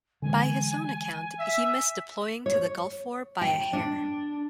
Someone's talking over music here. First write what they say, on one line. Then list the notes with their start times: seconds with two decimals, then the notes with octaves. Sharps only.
By his own account, he missed deploying to the Gulf War by a hair.
0.22 D3 E3 G#3 G#5
1.39 E5
2.46 C#5
3.41 G5
3.73 D4